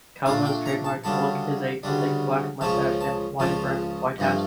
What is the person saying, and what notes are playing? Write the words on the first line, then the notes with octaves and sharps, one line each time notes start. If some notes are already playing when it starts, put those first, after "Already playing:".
Calvo's trademark look is a thick black moustache and wide-brimmed white hat.
A#2 A3 D4 F5
G5
A#5
A5
D2 C#3 G3 D4 A5
D2 C#3 G3 D4
C#2 C#3 F3 C#4 A5
A5
C#2 C#3 F3 C#4 A5
G2 F3 A3